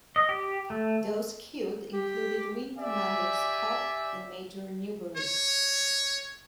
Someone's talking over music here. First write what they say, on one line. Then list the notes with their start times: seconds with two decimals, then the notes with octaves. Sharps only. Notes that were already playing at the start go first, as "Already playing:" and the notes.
Those killed included Wing Commander Scott and Major Newbury.
0.16 D#5
0.29 G4
0.70 A3
1.93 G4
2.78 G4 D5 E5 G#5
5.17 C#5